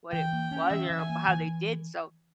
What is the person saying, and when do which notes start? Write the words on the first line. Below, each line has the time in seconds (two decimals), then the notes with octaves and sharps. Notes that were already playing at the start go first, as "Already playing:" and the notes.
what it was or how they did, so,
0.13 E3 G5
0.33 A#3
0.51 C#4
0.70 E3 E5
0.90 E3
0.99 G#5
1.09 A#3
1.28 E3